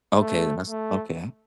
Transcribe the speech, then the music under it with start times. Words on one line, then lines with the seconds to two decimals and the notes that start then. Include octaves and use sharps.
Okay, then that's okay.
0.20 A3
0.70 A3